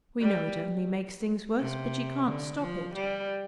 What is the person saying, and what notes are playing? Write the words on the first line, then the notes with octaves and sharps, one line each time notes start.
"We know it only makes things worse, but she can't stop it."
G3
C3
D3
F3
G3